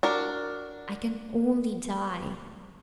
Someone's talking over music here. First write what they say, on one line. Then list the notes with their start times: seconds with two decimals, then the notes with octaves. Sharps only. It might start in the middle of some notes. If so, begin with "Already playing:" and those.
"I can only die."
0.03 D4 F#4 A#4